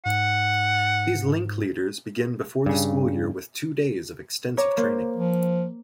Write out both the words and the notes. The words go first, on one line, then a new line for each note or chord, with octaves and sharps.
These Link Leaders begin before the school year with two days of extensive training.
G#2 F#5
G2 C#3
C#5 A#5 D6
A#3 C5
F3